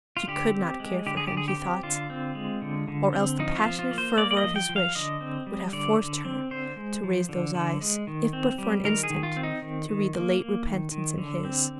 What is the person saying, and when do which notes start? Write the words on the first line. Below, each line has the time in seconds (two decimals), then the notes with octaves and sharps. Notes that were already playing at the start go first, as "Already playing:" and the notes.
She could not care for him, he thought, or else the passionate fervour of his wish would have forced her to raise those eyes, if but for an instant, to read the late repentance in his.
0.17 F4
0.27 D3 G4
0.55 C4
0.80 G#3
1.06 D3 G4
1.17 G#4
1.27 D3 G4
1.37 G#4
1.48 G4
1.57 C4
1.83 D3 F4
2.10 C4
2.35 G#3
2.62 D3
2.88 D3
3.13 C4
3.39 F3 D#4
3.58 F4
3.66 F3
3.79 F4
3.91 A#3
3.98 C5
4.17 A#3 D5
4.31 D5
4.37 D#5
4.44 F3
4.56 G5
4.69 F3
4.76 F5
4.95 D3 D#5
5.21 C4
5.47 G3
5.73 D3 D5
5.99 D3
6.25 C4
6.50 D3 C5
6.76 G#3
7.03 F3
7.29 D3
7.55 D3
7.81 G#3
8.07 D#3
8.33 C4
8.58 G3
8.84 D#3 A#4
9.03 G#4
9.10 D#3
9.23 F4
9.36 C4
9.43 D#4
9.62 D#3
9.89 D#3
10.14 A#3
10.40 A#3
10.66 D#3
10.92 D#3
11.18 D3
11.45 C4